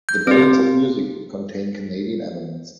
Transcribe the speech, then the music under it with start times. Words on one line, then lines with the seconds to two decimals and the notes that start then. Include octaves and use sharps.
The balance of music would contain Canadian elements.
0.09 G6
0.27 C4 G4